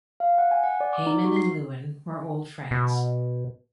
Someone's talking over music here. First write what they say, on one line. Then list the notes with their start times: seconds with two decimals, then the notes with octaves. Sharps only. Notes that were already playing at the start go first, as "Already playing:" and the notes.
Heymann and Lewin were old friends.
0.20 F5
0.38 F#5
0.51 G#5
0.64 F#5
0.80 D5
0.93 D6
1.07 D#4
1.24 F#4
1.36 C7
2.71 B2